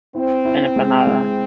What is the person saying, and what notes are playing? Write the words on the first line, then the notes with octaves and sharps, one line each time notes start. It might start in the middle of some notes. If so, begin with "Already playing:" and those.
an empanada?
C4 E4
E4
G#3
G#3